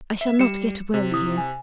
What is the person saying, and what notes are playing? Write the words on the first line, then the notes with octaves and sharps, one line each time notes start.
I shall not get well here.
E5
G3 C#7 E7
C3
E4 D#6
G#5